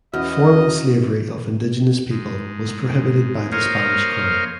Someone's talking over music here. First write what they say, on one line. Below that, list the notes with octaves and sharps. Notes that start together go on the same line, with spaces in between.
Formal slavery of indigenous people was prohibited by the Spanish Crown.
E2 C#4 F#4 D#5 F6
G#2
A#3 A#4 C5 C#5 D#5 F5